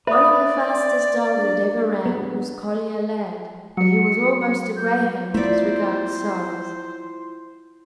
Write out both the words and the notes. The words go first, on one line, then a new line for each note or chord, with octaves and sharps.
One of the fastest dogs that ever ran was Collier Lad, but he was almost a Greyhound as regards size.
B4 D5 E5 B5 D#6
D4 G#4 A#4
B3
F#3 C#7
G6
A3 B3 E4 F4 C5 D5 E5